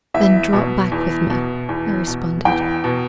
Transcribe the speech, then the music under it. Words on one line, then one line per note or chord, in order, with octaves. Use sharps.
"Then drop back with me," I responded.
E2 E5
B2
E2
B2
E2
B2
E2 G5
B2